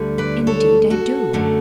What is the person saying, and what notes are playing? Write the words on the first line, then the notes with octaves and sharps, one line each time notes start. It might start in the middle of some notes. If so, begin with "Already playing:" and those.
Indeed I do.
Already playing: D2 D3 G3
B4 D5
A4 C#5
F#4 A4
F#2 D3 A3